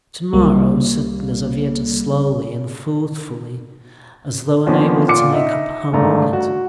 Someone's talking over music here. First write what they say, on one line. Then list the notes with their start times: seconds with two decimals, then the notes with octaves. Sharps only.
"To-morrow?" said Lizaveta slowly and thoughtfully, as though unable to make up her mind.
0.33 C2 G3 A#3
4.66 D3 D#3 F3 A#3 B3 C#4
5.08 A#2 F4 F#5 D6 C#7
5.33 D#4 D#5 E5
5.93 G1 G#2 A3 D4 A#5
6.33 F#4